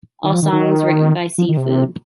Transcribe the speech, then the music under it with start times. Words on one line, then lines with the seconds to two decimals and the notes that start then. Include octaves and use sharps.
All songs written by Seafood.
0.24 D#3
0.33 F3
0.42 D#3
0.53 D#3
1.38 F3
1.49 D#3
1.57 C3